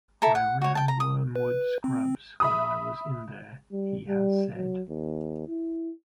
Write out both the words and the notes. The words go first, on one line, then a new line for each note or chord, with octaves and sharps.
"I ran Wormwood Scrubs when I was in there", he has said.
E4 A4 A#5
F#5
F#4 C#5
G5 A5
A#5
D#6
B4
C4
E5 B5 D#6
G3
G3
F#3
D#2
E4